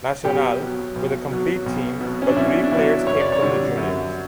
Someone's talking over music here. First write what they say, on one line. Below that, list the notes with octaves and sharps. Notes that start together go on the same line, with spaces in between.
Nacional, with a complete team, but three players came from the juniors.
B1 G4
B2 F#3
B1
B2 F#3
B1
B2 F#3
C#4
D4
B1 E4
D4
B2 F#3 E4
F#2 C#5
D5
C#5
D3 G3
F#2